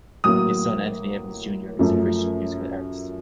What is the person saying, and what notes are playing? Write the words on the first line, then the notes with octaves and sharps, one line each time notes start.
His son Anthony Evans Junior is a Christian musical artist.
A2 F#3 A#3 D#6
F#2 F3 A3